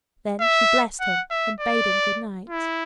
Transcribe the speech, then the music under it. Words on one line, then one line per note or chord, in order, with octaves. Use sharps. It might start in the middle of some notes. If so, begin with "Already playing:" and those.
Then she blessed him, and bade him good-night.
E5
F#5
E5
D5
E4